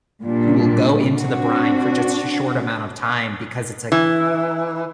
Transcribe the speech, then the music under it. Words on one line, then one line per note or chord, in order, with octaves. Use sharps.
who will go into the brine for just sh short amount of time because it's a
A#2 G3 D4
C4 D4 F#4
E3